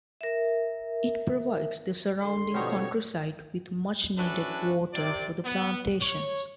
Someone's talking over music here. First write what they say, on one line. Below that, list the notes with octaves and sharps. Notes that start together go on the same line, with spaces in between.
It provides the surrounding countryside with much needed water for the plantations.
A#4 E5
D3 C6
B2 D3 F3 G3 C4 D#4 C#5
C#4 D4 E4 F#4 A4 B4
C3 D5
B3
C#5